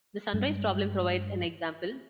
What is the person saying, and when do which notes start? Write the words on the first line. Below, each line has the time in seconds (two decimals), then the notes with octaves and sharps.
The "sunrise problem" provides an example.
0.33 G2 G3 G#3 D4